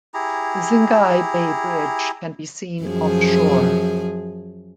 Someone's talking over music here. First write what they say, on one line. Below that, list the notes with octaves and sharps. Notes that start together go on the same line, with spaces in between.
The Xinghai Bay Bridge can be seen offshore.
E4 G4 G#4 A#5
F#2 F3 G#4